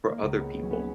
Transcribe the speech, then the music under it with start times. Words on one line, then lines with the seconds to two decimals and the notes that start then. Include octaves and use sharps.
for other people,
0.10 A#3
0.22 C#2
0.37 B3
0.62 F#3 C#4
0.70 B3
0.79 C#4